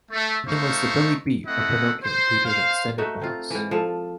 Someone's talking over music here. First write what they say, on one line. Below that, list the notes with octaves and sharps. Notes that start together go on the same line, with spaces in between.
Her nickname was "The Billy B" or "Pinocchio", due to her extended bows.
A3
A3 D#4 C5 F5 C#6
A3 C4 E4 D#5 F#5
C5
C5 F5
A3 D#4 F#4 E5
C4 F4
G#2 E3
F3 A4